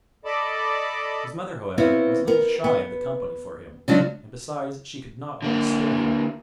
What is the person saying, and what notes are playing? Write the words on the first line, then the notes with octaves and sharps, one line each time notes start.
His mother, however, was a little shy of the company for him, and besides she could not always spare him.
A4 D5 D#5 A5 B5 D6
B3 C4 E4 C#5 F5
B3 A#4
B3
C#3 F3 F#3 G#3 D4
D3 A#3